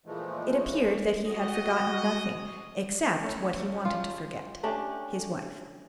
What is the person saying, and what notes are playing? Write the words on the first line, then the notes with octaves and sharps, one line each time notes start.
It appeared that he had forgotten nothing except what he wanted to forget--his wife.
A#2 E3 F3 G#3 A3
F#4 D#5
A3 C#4
F4
A3 C#4 D4 G4